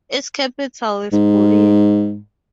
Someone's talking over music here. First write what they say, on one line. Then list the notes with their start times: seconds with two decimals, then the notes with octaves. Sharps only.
Its capital is Bulle.
1.13 G#2